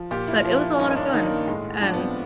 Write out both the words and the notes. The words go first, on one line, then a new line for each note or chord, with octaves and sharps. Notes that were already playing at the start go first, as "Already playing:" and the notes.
But it was a lot of fun. And
Already playing: F3
A#2 G4
E4
F4
F3
E4
G2 D#4
C#4
D4
D#3 D#4
A#3
A2 G#3
F3 D4
B3
C4